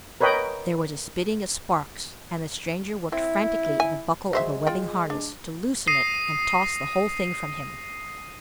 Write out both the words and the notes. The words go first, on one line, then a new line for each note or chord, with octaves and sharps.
There was a spitting of sparks and the stranger worked frantically at the buckle of the webbing harness to loosen it and toss the whole thing from him.
A#4 B4 C#5 D#5 G5
C4 E4
G#5
F#3 G#3 C5 E5
F4 G5
D4
D#6 A#6 C7 D#7